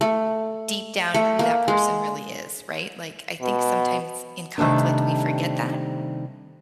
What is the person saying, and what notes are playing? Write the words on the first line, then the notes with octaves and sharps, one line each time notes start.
deep down who that person really is, right? Like, I think sometimes in conflict we forget that
A3
A3
A#3
G#3
B2
C3 D#3 G3 A3 D4